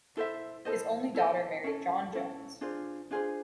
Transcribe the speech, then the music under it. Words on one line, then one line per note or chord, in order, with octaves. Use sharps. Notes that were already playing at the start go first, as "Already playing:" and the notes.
His only daughter married John Jones.
E4 A4 C5 E5
E4 A4 C5 D#5
E4 A4 C5 D#5
C#4 E4 A4
C#4 E4 A4
D4 F4 G#4 C5
D4 F4 G#4 C5